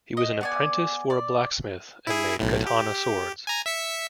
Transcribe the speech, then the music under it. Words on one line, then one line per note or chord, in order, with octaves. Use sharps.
He was an apprentice for a blacksmith and made katana swords.
D#5
B3 D5 G#5
D5
E4 G#4
B1 A2
G4
G#5 A#5
E5 B6 C#7